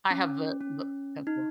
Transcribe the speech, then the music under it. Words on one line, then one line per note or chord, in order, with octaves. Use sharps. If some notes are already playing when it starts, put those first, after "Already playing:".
I have the the pencil.
C#4
C#4
D#4